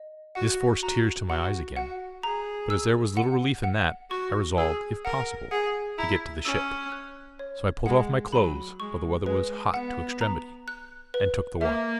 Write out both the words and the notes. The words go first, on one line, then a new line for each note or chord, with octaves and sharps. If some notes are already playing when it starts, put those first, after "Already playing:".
This forced tears to my eyes again; but as there was little relief in that, I resolved, if possible, to get to the ship; so I pulled off my clothes--for the weather was hot to extremity--and took the water.
Already playing: D#5
F#4 F#5
F#4 A#5
F#4 F#5
F#4 F#5
G#4 A#5
E6
F#5
F#5
F#4 C#6
G#4 E6
A#4 F#5
G#4 F#5
E4 A#5
C#4 E6
F#6
C#5
G#3 F#5
F#3 B5
G#3 C#6
G#3 B4
B3 F#5
A#5
F#6
B4
A#3 E5